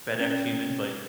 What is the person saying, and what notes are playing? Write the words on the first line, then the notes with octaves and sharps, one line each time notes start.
FedEx human, but
C#4